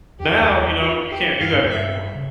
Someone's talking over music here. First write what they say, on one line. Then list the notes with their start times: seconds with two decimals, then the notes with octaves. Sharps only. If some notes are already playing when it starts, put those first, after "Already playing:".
Now, you know, you can't do that anymore.
0.20 F2 G4
0.40 E2
0.61 E2
0.80 F4
1.11 G4
1.40 G2 F5
1.53 G#2
1.65 G2
1.70 E5
2.15 C#3